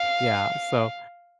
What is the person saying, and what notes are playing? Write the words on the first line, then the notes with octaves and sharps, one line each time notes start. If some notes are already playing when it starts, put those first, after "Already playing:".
Yeah. So,
Already playing: F5